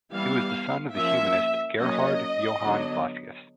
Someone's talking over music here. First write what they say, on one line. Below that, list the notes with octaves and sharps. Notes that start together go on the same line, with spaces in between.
He was the son of the humanist Gerhard Johann Vossius.
E3 G3 B3 F5
F3 A#3 C#4 E5
F#3 A#3 C#4 D#5
D3 F#3 B3 D4